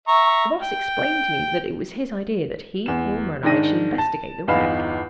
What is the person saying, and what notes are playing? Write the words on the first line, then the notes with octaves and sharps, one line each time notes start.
The Boss explained to me that it was his idea that he, Wilma and I should investigate the wreck.
E5 A#5 C#6
G5
E2 E7
G#2 D#3 D4 G5 A#6 D#7
A5
G1 E2 D#4 F5 B5 E7